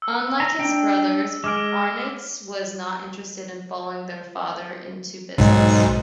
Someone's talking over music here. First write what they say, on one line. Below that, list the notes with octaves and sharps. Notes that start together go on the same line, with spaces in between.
Unlike his brothers, Ornitz was not interested in following their father into business.
E6
A#5
D4 G5
G#3 G#4 D6 F6 D7
B1 G#2